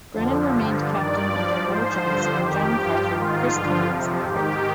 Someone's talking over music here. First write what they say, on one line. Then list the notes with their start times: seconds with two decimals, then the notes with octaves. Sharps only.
Brennan remained captain under Mo Johnston, John Carver, Chris Cummins and Preki.
0.14 F2 D3 F3
0.51 G2 D3 F3
0.88 G2 D#3 D5
1.25 G2 F3
1.63 G#2 F3 C5
2.00 G2 D3 F3
2.38 F2 D#3 G4
2.75 G2 F3
3.12 G#2 D#3 F4
3.50 G2 D3 F3
3.86 F2 C3 F3
4.23 G#2 D#3 G4